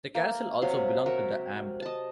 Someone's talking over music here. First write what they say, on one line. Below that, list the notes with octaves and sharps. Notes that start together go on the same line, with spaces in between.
The castle also belonged to the "Amt".
A#3
C3 F#3 F5
F#4 A#4 E5
D#5 A5